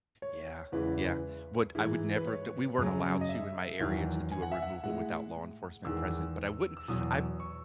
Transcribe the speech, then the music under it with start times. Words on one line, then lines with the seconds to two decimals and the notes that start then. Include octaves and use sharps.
Yeah, yeah. What I would never have d we weren't allowed to in my area to do a removal without law enforcement present, but I wouldn't I
0.22 C#5
0.72 E2 C#3 E3 G#3 B4
1.75 G#2 E3 G#3
2.16 B4
2.27 C#5
2.78 F#2 C#3 F#3
3.21 D#5
3.29 E5
3.80 E2 D#3 F#3
4.32 G#5
4.42 F#5
4.52 E5
4.62 F#5
4.83 A2 G#3 F#5
5.85 E2 D#3 G#3 E6
6.77 E6
6.88 E2 B2 F#3 D#6
7.40 C#6